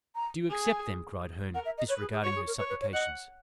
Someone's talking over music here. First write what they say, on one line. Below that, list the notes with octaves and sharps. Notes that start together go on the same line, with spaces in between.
"Do you accept them?" cried Herne, disregarding her supplications.
A#5
G#4 G#5
A#4 F#5
E5
D#5
B4 C#5
G#4
G#4
F#4 C#5
G#4
A#4
B4 C#5
B4
C#5
D#5 F#5